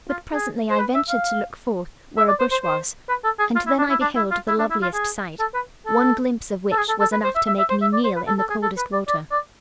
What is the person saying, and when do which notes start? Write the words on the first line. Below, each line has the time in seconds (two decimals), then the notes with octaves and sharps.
But presently I ventured to look forth where a bush was; and then I beheld the loveliest sight--one glimpse of which was enough to make me kneel in the coldest water.
0.09 F4
0.33 G#4
0.70 C5
0.79 B4
0.95 E5
1.09 F5
2.18 E5
2.28 D5
2.40 C5
2.51 C5
2.63 C5
3.09 B4
3.24 A4
3.39 G#4
3.55 F4
3.67 E4
3.79 D4
3.90 E4
4.01 D4
4.16 E4
4.31 F4
4.48 E4
4.59 D4
4.70 E4
4.82 F4
4.94 G#4
5.40 A4
5.54 B4
5.86 A4
6.72 A4
6.77 G#4
6.89 A4
7.00 A4
7.12 B4
7.24 C5
7.36 E5
7.47 E5
7.58 E5
7.70 C5
7.81 E5
7.93 D5
8.04 C5
8.16 B4
8.27 A4
8.39 A4
8.50 G#4
8.62 A4
8.78 B4
8.92 D5
9.08 D5
9.31 D5